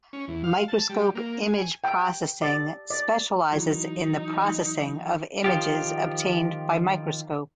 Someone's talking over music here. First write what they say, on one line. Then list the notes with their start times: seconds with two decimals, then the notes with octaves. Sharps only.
Microscope image processing specializes in the processing of images obtained by microscope.
0.13 C#4
0.28 E2
0.44 F5
0.68 A5
0.89 G3
1.15 A#3
1.48 G#5
1.84 G5
2.42 D5
2.90 D5
3.52 E3 F#3 D#4
5.44 D#3 F3 F4 G4